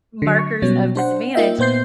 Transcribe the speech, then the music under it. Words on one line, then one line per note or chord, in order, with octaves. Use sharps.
markers of disadvantage,
D3 F#3
C#6
B2 F#3 G3 C#4
D4 C5 F#5
A#3 D#4 F4 D#5 E5 G5
A#2 B3 C5 G6 C7